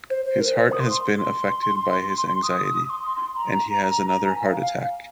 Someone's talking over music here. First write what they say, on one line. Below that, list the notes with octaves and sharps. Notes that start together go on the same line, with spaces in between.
His heart has been affected by his anxiety, and he has another heart attack.
C5
C5
A#4
C5
D#6
C6
C6
D#6
C6
A#5
G#5
F5
F5